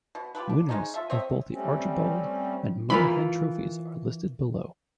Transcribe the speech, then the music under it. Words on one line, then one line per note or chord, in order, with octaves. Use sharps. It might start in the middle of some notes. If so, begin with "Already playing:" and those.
Winners of both the Archibald and Muirhead trophies are listed below.
B2
F4 G4 A4 B4
D4
G#3 C4 C#4 D#4
F4 A4 E5
C4 C#5 D#5 E5
G3 A3 C4 C#4
E3 F4 A#4 B5